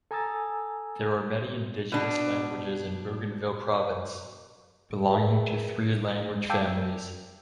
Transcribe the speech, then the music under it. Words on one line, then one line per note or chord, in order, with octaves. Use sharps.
There are many indigenous languages in Bougainville Province, belonging to three language families.
A4 G#5 A#5 D#6 E6 A6
B2 D4
G#4 A#4 B4 E5
F5 G5 A5 D6 E6 G6